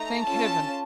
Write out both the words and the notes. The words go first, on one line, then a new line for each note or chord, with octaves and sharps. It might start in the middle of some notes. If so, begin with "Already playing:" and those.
Thank Heaven!
Already playing: A3 D#4 A#5
C#4 F4 A4 A5